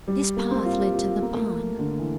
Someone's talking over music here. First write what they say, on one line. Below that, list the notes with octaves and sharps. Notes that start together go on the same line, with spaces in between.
This path led to the barn.
G3
A#3
C4
F4
G4
F4
F4
A#3
A#3
A3
D3
E3